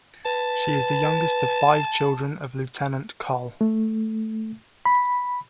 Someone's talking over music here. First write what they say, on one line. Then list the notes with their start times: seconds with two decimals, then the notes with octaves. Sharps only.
She is the youngest of five children of Lt.-Col.
0.25 B4 A5
3.61 A3
4.86 B5